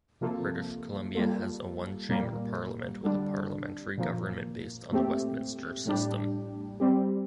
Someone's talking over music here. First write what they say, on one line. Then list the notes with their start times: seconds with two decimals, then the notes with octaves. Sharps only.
British Columbia has a one chamber parliament with a parliamentary government based on the Westminster system.
0.21 C3 F3 A#3 F4 A4
1.15 G3 A#3 F4 A4
2.09 A#2 G3 A#3
3.03 D3 G3 D4
3.97 A#2 F3 A#3
4.91 A#2 A3 C4 G4
5.86 A2 G3 D4 G4
6.80 G3 C4 G4